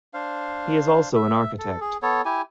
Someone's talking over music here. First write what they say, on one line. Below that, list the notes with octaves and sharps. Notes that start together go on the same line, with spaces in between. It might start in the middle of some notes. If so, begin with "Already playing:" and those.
He is also an architect.
D4 C5 F5
E5
A4
G#4
B3 A4 C#5
E4 G4 G#5